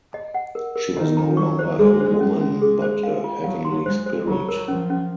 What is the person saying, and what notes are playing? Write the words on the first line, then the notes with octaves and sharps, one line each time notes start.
She was no longer a woman but a heavenly spirit.
D#5
F#5
A#4
A#4
D#3 D#5
A#5
F#3 C#6
C5
G#3 G#4
C5
G#3 C#4
C#4
G#4
C5
F5
F4
F#3 F5
C6
G#3 C5
C5
F#3 F4
A#4
F3 C#4
C#4